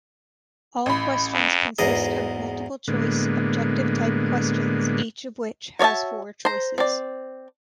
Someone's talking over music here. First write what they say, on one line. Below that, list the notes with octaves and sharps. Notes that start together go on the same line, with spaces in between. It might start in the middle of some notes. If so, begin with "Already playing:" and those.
All questions consists of multiple choice objective-type questions each of which has four choices.
A1 B5
F2
B1 E2 G#2 D#5
A2 D3 G#3 A#3 B3
F#4 C#5 D5 E5 A5
C5 A#5
C4 D5